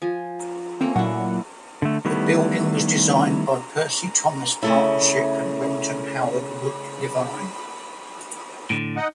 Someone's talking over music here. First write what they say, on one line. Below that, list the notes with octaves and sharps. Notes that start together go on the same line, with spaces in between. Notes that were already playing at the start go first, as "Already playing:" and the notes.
The building was designed by Percy Thomas Partnership and Renton Howard Wood Levin.
F3 G#5
A3 A#3 C4 C#4
A#2 F#3 D4 E4 F#5
D3 A3
D#3 G3 A3 B3 E4
C#3 A3 E4
A2 D3
D#4 D#5 F#5